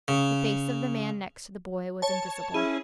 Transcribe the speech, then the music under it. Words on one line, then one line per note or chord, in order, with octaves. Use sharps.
The face of the man next to the boy was invisible.
C#3
C#5 A5
C#4 E4 G#4